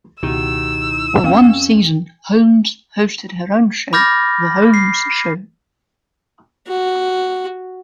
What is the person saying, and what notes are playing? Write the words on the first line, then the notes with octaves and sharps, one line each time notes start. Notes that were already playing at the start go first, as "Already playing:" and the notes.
For one season, Holmes hosted her own show, "The Holmes Show".
C#2 B2 D#3 E4 F#4 G4 E6
F2 C#4 F5 G5
B5 D6 F6 G6 A6 A#6
C7
F#4